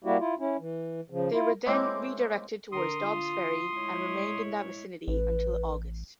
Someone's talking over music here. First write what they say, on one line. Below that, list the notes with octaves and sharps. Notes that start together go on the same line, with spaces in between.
They were then redirected towards Dobb's Ferry and remained in that vicinity until August.
G3 A#3 E4 F#4 G4
E4 F4
C#4 E4
E3
C#3 F3
E4 F4
G#3 A#3 C4 C#4 E4 G4
D3 A#4 C6 D#6
F4
G#3 E4 C#5
A1 B4